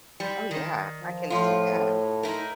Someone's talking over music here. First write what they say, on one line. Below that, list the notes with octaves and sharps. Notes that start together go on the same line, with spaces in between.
Oh, yeah. I can see that.
G3
D#3
F3
A2 F3 F4
D#4 E4 A#4